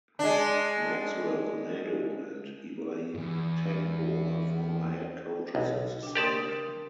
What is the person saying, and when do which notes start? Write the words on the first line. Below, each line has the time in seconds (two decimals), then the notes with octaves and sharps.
Maxwell Konadu and Ibrahim Tanko are former head coaches of the side.
0.19 G#3 D4
3.14 E2 G2
5.55 B1
5.75 C#3
6.03 D4 G5
6.15 G4 A#4 D5 A5 C6 D#6